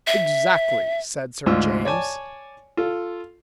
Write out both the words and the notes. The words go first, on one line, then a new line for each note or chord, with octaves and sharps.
"Exactly," said Sir James.
E5
D2 G#2 F4 E6
C#5 D5 G#5 A5
F4 A4